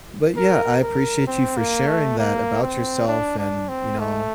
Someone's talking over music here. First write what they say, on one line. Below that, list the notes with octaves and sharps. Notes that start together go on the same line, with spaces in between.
but yeah, I appreciate you for sharing that about yourself, and, you know,
A#4
A#4
C4
A#3
A3
A#3
C4
D4
D4
C4
A3